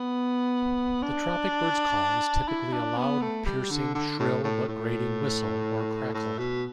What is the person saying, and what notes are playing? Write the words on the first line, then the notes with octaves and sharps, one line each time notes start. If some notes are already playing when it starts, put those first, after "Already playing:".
The tropicbirds' call is typically a loud, piercing, shrill, but grating whistle, or crackle.
Already playing: B3
D4
E4
D4
B3
A3
G3
D3
D3
A2
A2
A2
A2
B2